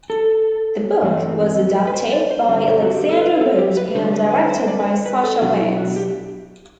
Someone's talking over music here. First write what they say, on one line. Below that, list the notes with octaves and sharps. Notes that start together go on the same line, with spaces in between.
The book was adapted by Alexandra Wood and directed by Sacha Wares.
A4
G2 E3 A3 C4
B4
C5
D5
C5
G2 D3 G3 C4
F#4
G4
A4
B4
A4
G4
B4
D3 G3 D4 C5
B4
B4
C5
D5
B4
C5
B4
A4
B2 F#3 B3 D4 F#4
E4
F#4
G4